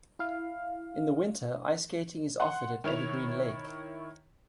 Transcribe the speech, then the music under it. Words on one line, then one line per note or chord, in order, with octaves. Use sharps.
In the winter, ice skating is offered at Evergreen Lake.
E4 F5
F#5 C6
D#3 E4 C#5 F7